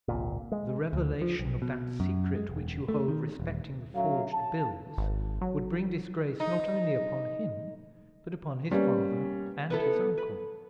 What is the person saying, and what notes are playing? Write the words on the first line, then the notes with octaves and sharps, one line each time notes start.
The revelation of that secret which you hold respecting the forged bills would bring disgrace not only upon him, but upon his father and his uncle.
G#1 C#2 A#2
G#3
D2
F3
B1
B2
F#2
G#3
E1
A3
D#3
D#1
F#3 C#4 A4 E5 F5
A5
G#1
F#3
D#4
G3 A#3 B3 C#4
B3 E4 A4
B4